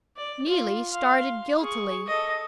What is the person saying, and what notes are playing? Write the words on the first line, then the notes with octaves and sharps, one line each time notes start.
Neelie started guiltily.
D5
F4
F5 C6
G#4 C#6
A4 D#5